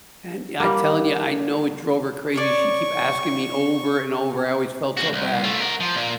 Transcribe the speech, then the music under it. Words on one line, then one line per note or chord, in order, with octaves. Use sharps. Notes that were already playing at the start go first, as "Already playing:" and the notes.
And yeah, I'm telling you, I know it drove her crazy. She'd keep asking me over and over, I always felt so bad
G3 A#3
C#5 D5 C#6
A#3 F#4
C2
A3 F4
A#4 F#5
F3
A#2 A#3